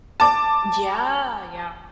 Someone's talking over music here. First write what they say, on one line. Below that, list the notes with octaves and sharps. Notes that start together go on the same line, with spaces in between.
Yeah, yeah.
A5 D6